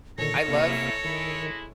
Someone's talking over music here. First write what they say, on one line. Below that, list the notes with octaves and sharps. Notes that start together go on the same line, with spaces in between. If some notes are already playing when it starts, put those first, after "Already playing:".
I love
A#2 D3 D#3 A4 C#5 A#6
G#2 C3 A#3 E4
D#3 G#3 E4